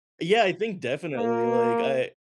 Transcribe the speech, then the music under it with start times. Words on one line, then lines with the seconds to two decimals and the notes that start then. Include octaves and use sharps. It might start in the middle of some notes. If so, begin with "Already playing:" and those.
Yeah, I think definitely. Like, I
1.16 A#3